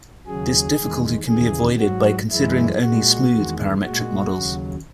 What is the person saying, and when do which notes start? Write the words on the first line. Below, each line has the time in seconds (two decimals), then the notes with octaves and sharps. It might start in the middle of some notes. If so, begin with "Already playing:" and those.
This difficulty can be avoided by considering only "smooth" parametric models.
0.26 D#2 C#3 F#3 G#4
0.78 E2 D#3 G#3
1.29 D#2 C#3 E3 G#4
1.80 G#2 F#3 F#4
2.31 F#2 E3 G#3 E4
2.82 A#2 G#3 F#4
3.32 E2 D#3 G#3
3.84 A#2 G#3 F#4
4.35 D#2 C#3 F#3